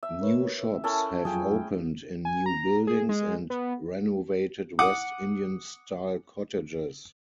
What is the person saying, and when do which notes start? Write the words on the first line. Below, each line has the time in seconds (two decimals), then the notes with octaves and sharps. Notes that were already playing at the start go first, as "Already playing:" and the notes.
New shops have opened in new buildings and renovated West Indian-style cottages.
0.03 E5
0.21 A#4 B4 C#5
0.84 C#4 E4 A4 A#4
1.25 F2 F#3 F4 G#4 G5
2.25 G#5
2.46 A#5
2.87 G#4
3.09 G#3
3.50 B3
4.79 F#5 D6 D#6